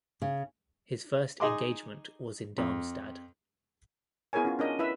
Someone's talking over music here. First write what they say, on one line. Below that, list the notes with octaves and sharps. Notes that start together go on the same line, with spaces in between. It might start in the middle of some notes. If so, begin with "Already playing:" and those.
His first engagement was in Darmstadt.
C#3
D#4 G#4 D#5 C6 D6
F2
B3 E4 G#4 A#4 C#5 G#5
C#4 F4
C#4 D4 A#4 D#5
E4 B4 E5